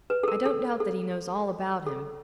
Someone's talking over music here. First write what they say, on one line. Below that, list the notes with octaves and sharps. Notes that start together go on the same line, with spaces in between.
I don't doubt that he knows all about him.
B4
A4
A#4
A4
A4
A4